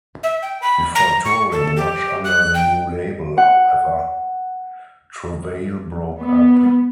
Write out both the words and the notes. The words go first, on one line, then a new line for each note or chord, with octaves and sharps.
Before touring much under the new label, however, Travail broke up.
E5
G5
B5
A#5
C#6
A4
G4
F#6
G5
F#5
B3